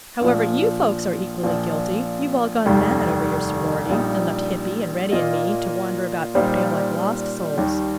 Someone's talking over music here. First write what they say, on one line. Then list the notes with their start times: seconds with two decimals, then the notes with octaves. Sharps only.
However, you folks are equally guilty, you've all gone mad over your sorority, and left Hippy and Reddy and me to wander about Oakdale like lost souls.
0.20 A#1 A#2 F3
1.43 A#1 A#2 F3
2.66 F1 D#2 D#3 G3
3.89 A#1 A#2 G3 D#4
5.12 A#2 A#3 F4 D#5
6.35 A#2 G3 D#4 C5
7.57 D#2 D#3 G3